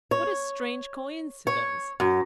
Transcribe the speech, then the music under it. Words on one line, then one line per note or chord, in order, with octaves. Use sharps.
What a strange coincidence.
C#5
C#5
F#2